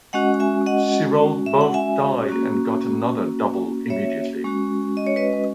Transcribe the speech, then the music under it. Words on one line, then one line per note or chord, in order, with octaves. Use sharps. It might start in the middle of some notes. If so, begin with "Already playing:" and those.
She rolled both die and got another double immediately.
G#3 C#4 F#4 D#5 F#5
E5 G#5
D#5 F#5
E5
F#5
E5 G#5
A#3 C#4 F#4
C#5 E5
G#3 C#4 F#4
D#5
C#5
B4 D#5